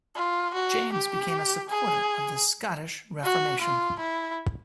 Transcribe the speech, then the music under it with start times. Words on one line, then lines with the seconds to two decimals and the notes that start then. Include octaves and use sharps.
James became a supporter of the Scottish Reformation.
0.16 F4
0.54 F#4
0.92 G4
1.69 G#4
3.23 F#4
3.61 F4
3.99 E4